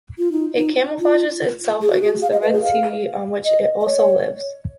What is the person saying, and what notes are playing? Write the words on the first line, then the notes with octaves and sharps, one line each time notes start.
It camouflages itself against the red seaweed on which it also lives.
F4
D#4
D#4
F4
G#4
F#4
G#4
F5
D#5
B4
G#4
F5
D#5
D#5
C#5